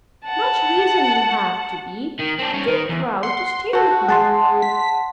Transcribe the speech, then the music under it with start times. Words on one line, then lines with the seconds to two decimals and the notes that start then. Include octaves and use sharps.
Much reason you have to be too proud to stay with me.
0.25 F#5 A5
2.20 D#3
2.39 C4 D4
2.54 G3 C#4
2.68 D#3
2.90 E2
3.23 F#5 C6
3.73 F#4 A4 C5
4.08 G#3 F#5 A5 C6
4.62 B6